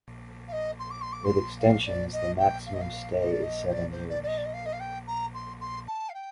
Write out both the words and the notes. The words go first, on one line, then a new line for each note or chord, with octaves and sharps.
With extensions, the maximum stay is seven years.
F5
D#5
C6
D6
C6
D6
C6
F5
D5
D#5
G5
F5
D#5
F5
D#5
D5
D#5
C5
D5
C5
D5
D5
D#5
D5
D#5
F5
D#5
F5
G5
A#5
C6
C6
A5
F5
G5